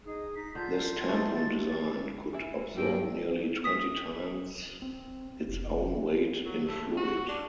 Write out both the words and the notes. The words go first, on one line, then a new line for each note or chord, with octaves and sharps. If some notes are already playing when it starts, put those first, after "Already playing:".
This tampon design could absorb nearly twenty times its own weight in fluid.
D#4 G#4
D#4 B6
D3 F4 G6
F3 A3 D#4 A6
E3 E4
G2 D3 F#3 G3 G5
D#6 B6
C4
F1
F#3
A3
F#4
D4